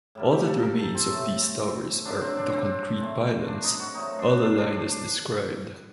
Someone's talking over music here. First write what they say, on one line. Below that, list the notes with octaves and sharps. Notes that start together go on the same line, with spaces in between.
All that remains of these towers are the concrete pylons, all aligned as described.
A2 G3 A#3
G4
A4
A#4
A4
C4
A2 A3
F#2 D3 F#3 D4
C4
D4
C4
A#2 A3
D4
D#4
F#4
A#2 F#3 A3 D#4
D4
D4
D4
D4